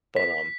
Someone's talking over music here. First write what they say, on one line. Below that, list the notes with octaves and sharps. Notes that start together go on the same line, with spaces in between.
but, um,
B6